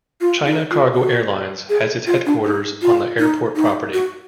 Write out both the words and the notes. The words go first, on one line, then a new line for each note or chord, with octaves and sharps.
China Cargo Airlines has its headquarters on the airport property.
F4
D#4
F4
F#4
G#4
F4
D4
D#4
F4
D#4
D#4
F#4